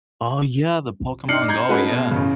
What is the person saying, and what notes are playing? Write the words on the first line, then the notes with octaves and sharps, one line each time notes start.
Oh yeah, the Pokemon Go, yeah.
D4 D#4 F6 C7 C#7 F#7
A#5 G6 G#6
G#3 C#4 F#4 G#4 A4 B4
B2
A1 C#3